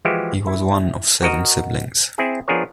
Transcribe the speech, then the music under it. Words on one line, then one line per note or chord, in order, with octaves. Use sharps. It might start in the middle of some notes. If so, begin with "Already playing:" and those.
He was one of seven siblings.
E3 F3 G#3 E4 F#4 G4
E4
F#4 A#4 D#5
C4 E4 G#4
F3 B3 D4 G#4 A#4 C#5